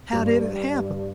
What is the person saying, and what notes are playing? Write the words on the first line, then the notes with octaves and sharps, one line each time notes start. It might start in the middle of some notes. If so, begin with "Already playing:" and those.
"How did it happen?"
G2